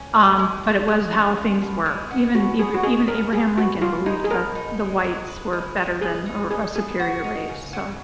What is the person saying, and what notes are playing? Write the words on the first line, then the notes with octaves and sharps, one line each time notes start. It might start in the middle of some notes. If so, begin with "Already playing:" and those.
Um, but it was how things were. Even eve even Abraham Lincoln believed that the whites were better than or a superior race, so.
Already playing: C#4
G#3
G#3
F4
G#3 G#4
C#4
F4
B2
G#3
B3
B2 F#4
B3 G#4
F#4
G#3 G#4
B2 A#4
B2 G#4
B2 F#4
B2 F4
G#3 D#4
G#4
B2 A#4
D#4
G#3
G#3
B4
G#3
G#3
G#4 B4
D#4
D#4 G#4
G#4 B4
F#4
D#4
C#3
F#3